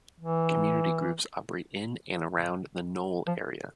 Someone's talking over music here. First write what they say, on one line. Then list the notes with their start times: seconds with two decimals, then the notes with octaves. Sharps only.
Community groups operate in and around the Knowle area.
0.20 E3
3.27 F3